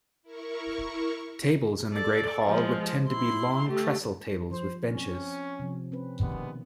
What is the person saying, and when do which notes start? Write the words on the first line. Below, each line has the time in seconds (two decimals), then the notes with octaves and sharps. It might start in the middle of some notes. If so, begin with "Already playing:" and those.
Tables in the great hall would tend to be long trestle tables with benches.
0.22 E4 A#4 C#6
1.93 A4 D5
2.47 F3 G#3
3.09 E4 C6
3.69 A3 G4
4.51 F3 C5
4.90 C4 C#4
5.60 C3 F3
5.92 C4 C#4 B4
6.21 B2 D#3 G3 G#3 A#3 B3